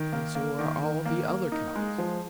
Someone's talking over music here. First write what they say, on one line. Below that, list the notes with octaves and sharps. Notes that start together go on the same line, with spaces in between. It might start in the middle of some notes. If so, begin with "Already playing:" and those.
And so are all the other cows.
Already playing: D#3
A#3
A#3
D#3
D#3
A#3
A#3
D#4
G#3
F3